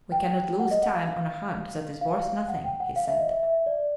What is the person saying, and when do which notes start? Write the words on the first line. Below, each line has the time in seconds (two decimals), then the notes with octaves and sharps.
"We cannot lose time on a hunt that is worth nothing," he said.
0.12 G5
0.60 F#5
0.71 D#5
0.83 F#5
0.95 F5
2.01 F5
2.49 F#5
2.65 G5
2.80 F#5
2.96 F5
3.07 E5
3.19 D#5
3.31 E5
3.43 E5
3.66 D5